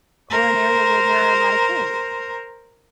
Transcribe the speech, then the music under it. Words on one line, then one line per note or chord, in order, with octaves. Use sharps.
Or an area where there are a lot of kids?
A#4 C5